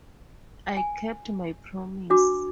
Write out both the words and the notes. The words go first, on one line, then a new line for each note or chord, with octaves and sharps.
I kept my promise.
G#5
D4 F#4 D6